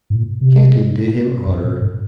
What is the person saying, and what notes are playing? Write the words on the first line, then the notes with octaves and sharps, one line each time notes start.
Canton did him honor.
G#2
A#2
C3
F#2
A#2
G#2